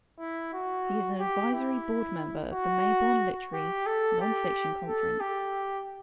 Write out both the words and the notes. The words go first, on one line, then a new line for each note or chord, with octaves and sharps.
He is an advisory board member of the Mayborn Literary Nonfiction Conference.
E4
F#4
G4
E4
F#4
G4
A4
G4
A4
G4